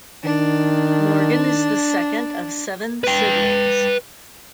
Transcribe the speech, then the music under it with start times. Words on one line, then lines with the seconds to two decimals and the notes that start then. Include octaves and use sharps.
Morgan is the second of seven siblings.
0.24 D#3 D4
3.04 B4 G5